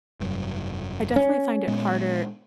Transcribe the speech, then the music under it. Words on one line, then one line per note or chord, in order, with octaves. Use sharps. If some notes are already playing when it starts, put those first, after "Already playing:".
I definitely find it harder
F1 G2 F#3
C#4
A#2 G#3 B3